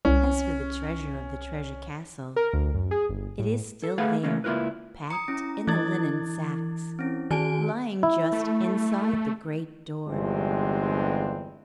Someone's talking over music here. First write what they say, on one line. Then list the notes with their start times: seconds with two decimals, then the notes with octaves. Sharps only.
As for the treasure of the treasure castle, it is still there, packed in the linen sacks, lying just inside the great door.
0.05 C2 C#4
2.36 A#4
2.53 D2
2.75 F#2
2.91 G#4
3.09 G1
3.39 A2
3.83 A4
3.98 A3 G#4 A4 B4 F5 F#5
4.23 E3 A3 A#3 C#4
4.44 C#2 A#3 E4 F4 A#4 B4
5.10 A#5 D#6 C#7
5.28 C#4 E4
5.67 E3 E4 D6 G#6 A6
6.99 C4 C#4
7.31 D#3 F#4 G#4 G#5 A5 D7
8.03 E4
8.32 A3
10.07 G1 E2 G2 G#3 C4 D4